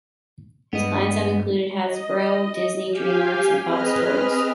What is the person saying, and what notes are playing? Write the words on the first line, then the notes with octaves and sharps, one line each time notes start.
His clients have included Hasbro, Disney, DreamWorks and Fox Sports.
G2 B3 D#5
D#5
G4 F5 G5 G#5
C4 G#4 B4 D#5 F6